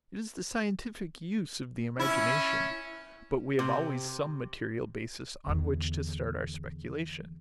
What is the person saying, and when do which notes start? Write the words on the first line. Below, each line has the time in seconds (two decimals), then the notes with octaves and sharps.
It is the scientific use of the imagination, but we have always some material basis on which to start our speculation.
1.99 C#4 E4
3.59 C3
5.47 E2 D3